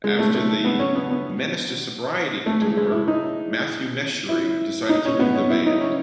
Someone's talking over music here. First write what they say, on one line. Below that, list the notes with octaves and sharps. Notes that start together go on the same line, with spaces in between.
After the "Menace to Sobriety" tour, Matthew Meschery decided to leave the band.
G#3
A3
A3
B3
C#4
B3
B3
A3
G#3
G#3
E4
D#4
E4
D#4
C#4
B3
C#4
E4
D#4
C#4